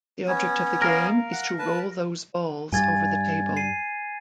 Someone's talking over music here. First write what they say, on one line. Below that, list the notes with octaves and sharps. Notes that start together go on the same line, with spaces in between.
The object of the game is to roll those balls over the table.
B3 C#4 C#5
A#4 F5
F#5
B4 A5
G2 G3 G#5 G#6 A6
C7 D#7